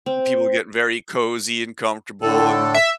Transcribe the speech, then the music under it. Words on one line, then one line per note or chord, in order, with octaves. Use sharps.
people get very cozy, and comfortable, and
C4
A2 D3 A4
E5